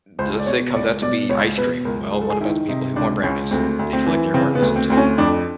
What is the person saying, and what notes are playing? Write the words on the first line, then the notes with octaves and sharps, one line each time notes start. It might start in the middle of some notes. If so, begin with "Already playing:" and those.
Let's say it comes out to be ice cream. Well, what about the people who want brownies? They feel like they weren't listened to.
C#2 C5
D5
B2 C#5
C#2 D5
B2 D5
C#2 C#5
B2 B4
C#2 A#4
C#2 G#4
A4
G#4
D#3 E4
C3 D#4
C#2 D4
C#2 C#4
D2 C4
D2
C4
E3
C#3 C4
B3
D2
C4
D2 C4
C#4
F2 D4